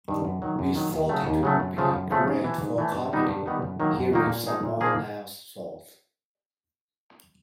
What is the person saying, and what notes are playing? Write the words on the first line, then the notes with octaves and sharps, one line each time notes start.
We thought it would be great for comedy, hearing someone else's thoughts.
G2 D#3
F#2
D#3 F#3
F#2
D#3 F#3
D#2
C#3 F#3 A3
D#2
C#3 F#3 A3
F#2
C#3 F3 A3
F#2
C#3 F3 A3
G#2
E3 A3
G#2
E3 A3
G2
D#3 G3 B3 D#4
G2
D#3 G3 B3 D#4
F#2
D#3 F#3 A#3 D#4
F#2
D#3 F#3 A#3 D#4
A#2
F3 A#3 D#4 G#4
A#2
F3 A#3 D#4 G#4